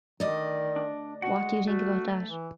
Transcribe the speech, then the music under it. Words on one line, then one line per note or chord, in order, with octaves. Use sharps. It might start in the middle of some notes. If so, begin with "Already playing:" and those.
What do you think about that?
D2 D#3 D5 D#5
D4
B2 F#4 F#5
G#3
A3 F#4
E3